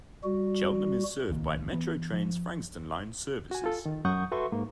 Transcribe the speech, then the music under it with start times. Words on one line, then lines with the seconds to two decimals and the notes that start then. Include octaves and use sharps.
Cheltenham is served by Metro Trains' Frankston line services.
0.24 G3 F#4
1.29 D1 C2 D#3 A#3
1.73 E3 B3
2.13 F3
3.51 F#4 G#5
3.64 F4 A4
3.86 D#3
4.05 F#2 F#3 F#5 C#6 D#6 G6
4.32 F#4 A4 B4 E5 C6 C#6
4.52 G#2 A#3